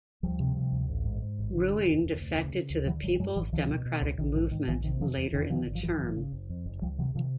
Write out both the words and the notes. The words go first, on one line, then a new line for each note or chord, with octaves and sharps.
Ruing defected to the People's Democratic Movement later in the term.
D2 F3 G3
C3
C3
D2
A1
G#2
G#2
A1
D3
F1
D#2
F1
D2
C#3
C#3
D2
D3 E3 F#3
G#1 F#3 G#3
G3
F#2 F#3 G#3
G#1 E3 F#3
C#2 D#3 F3
B2
B2
C#2
A#1 D#3
G#2 D3
G#2 D#3
A#1 D3 E3
C3 D#3
F1 D#3 F3
E2
F1 D#3
D3 D#3 F3
G#1
F3
F#2 E3 F#3
G#1
C#3
F#1
F2
F#1
C#2 F3 G3
C3 E3 F#3
C3 D#3 F3